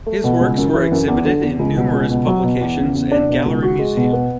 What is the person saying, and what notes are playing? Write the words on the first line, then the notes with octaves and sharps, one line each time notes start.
His works were exhibited in numerous publications and gallery museum.
A3
B2
C#2
F#2
E3
F#2
E2
D3
E2
C#2
B2
C#2
B2
F#3
B2
E2
C#3
E2
D4
B2
C#2
F#4
G#3
B2
B3